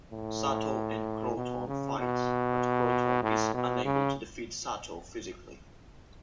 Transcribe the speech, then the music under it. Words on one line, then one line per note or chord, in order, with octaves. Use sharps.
Sato and Kroton fight, but Kroton is unable to defeat Sato physically.
A2
B2
C#3
B2
A2
B2
C#3